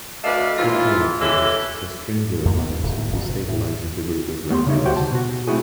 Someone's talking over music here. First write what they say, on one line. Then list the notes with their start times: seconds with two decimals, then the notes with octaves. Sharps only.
Shortly afterwards, a stranger arrives who destabilizes the group of regulars.
0.24 D2 A3 B4 D5 D#5 F5
0.57 G#2 C3 E3 F4
1.20 E3 G#3 G4 A4 C#5 E5
2.45 F2
2.57 B3
2.69 G2
2.83 D1
2.96 A2
3.12 G1
3.29 B2
3.48 A2
4.50 A3 B3 G4 C#5 C6
4.67 C#3 G3 D#4 C#5 E5
4.85 D2 C#3 F#4 G4 C5 F#5
4.96 A5
5.11 B2 F#4
5.47 A3 C4 C#4 E4 F#4 G#4